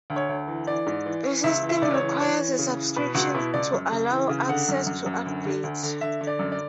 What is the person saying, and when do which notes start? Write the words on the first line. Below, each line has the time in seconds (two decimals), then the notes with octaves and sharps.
The system requires a subscription to allow access to updates.
0.10 D2
0.16 C#5
0.29 D2
0.48 E3
0.67 E3 D5
0.86 G#2
1.06 E3
1.24 E3
1.44 C#2 E5
1.62 E3
1.69 E5
1.82 C#2 D5
1.94 C#5
2.01 E3
2.20 E3 C#5
2.38 E3
2.59 C#3
2.77 E3
2.96 B2 B4
3.15 C#2 F#4
3.35 B2 E4
3.54 C#2 D5
3.73 F#2
3.92 C#3
4.10 E3
4.29 C#3
4.49 D3 F#5
4.68 F#2
4.87 F#2
5.06 F#2
5.26 D2
5.45 D3
5.63 D2
5.83 D3
6.01 D3 E5
6.21 D3
6.27 D5
6.39 F#2
6.52 D5